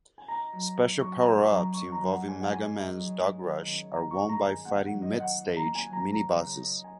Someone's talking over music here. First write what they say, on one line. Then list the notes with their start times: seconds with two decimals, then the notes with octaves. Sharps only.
Special power-ups involving Mega Man's dog Rush are won by fighting mid-stage minibosses.
0.18 G#5
0.28 D#4 A#5
0.52 F#3
0.76 F#2
1.00 F#2 C#6
1.19 A#5
1.25 D#4
1.38 C#6
1.50 F#3
1.55 A#5
1.73 D#4 C#6
1.92 A#5
1.98 F#3
2.10 F#5
2.22 G#2
2.29 G#5
2.40 F#5
2.47 G#2 G#5
2.71 D#4
2.95 F#3
3.20 G#3
3.44 D#3
3.68 C#4
3.92 G#2 A#5
4.11 C#6
4.17 G#3
4.29 A#5
4.41 D#3
4.47 G#5
4.65 A#3 F#5
4.83 F#5
4.90 F#3
5.02 D#5
5.14 D#4
5.20 F#5
5.38 A#2
5.57 A#5
5.62 A#3
5.75 G#5
5.87 F#3
5.93 A#5
6.11 A#3 A#5
6.36 C#3
6.60 D#4
6.84 G#5